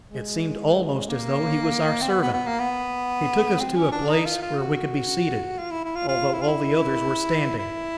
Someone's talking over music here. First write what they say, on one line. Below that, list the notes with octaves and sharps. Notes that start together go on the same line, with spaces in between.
It seemed almost as though he was our servant. He took us to a place where we could be seated, although all the others were standing.
G#3
A#3
C4
B3
B3
B3
A#3
B3
C4
C#4
D4
D#4
F4
F4
F#4
F4
E4
E4
F4
F4
E4
F4
E4
E4